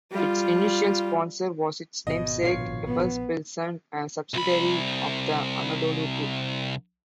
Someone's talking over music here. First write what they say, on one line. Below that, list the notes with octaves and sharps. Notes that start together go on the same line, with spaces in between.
Its initial sponsor was its namesake Efes Pilsen, a subsidiary of the Anadolu Group.
G3 F4
G#1 B2 D#5
A#1 F4 C#5 C7
B3
C2 B5